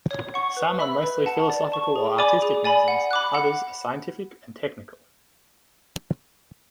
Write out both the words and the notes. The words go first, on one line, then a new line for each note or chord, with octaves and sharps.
Some are mostly philosophical or artistic musings, others are scientific and technical.
C#5
F#5 C#6
B4
E5 B5 E6
B4
F#5 A5
D5
A5 C#6
G#4
D5 G#5 B5 D6
G#4
D5 G#5 B5
F#5
B5 D6 F#6
F#5